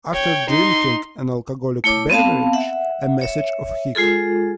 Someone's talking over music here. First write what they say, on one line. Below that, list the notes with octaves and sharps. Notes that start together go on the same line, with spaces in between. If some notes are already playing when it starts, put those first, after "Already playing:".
After drinking an alcoholic beverage, a message of Hic!
C#5 G5
D#4 C6
A3 E4 C#5 D6
B3 C4 F5 A5
E5 F#5
C#5 E5
G#3 F4 G#4 A4